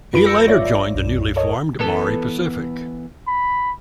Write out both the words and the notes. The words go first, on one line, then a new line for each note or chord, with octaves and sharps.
He later joined the newly formed Mauri Pacific.
F#2 F#3 F4 B4 B5 D7
E6 G6 A#6 C#7
G#1 F4 C#5 D5 E5
B1 F#2
A4 A#4 C#5 D#5
E3 B3 A4
B5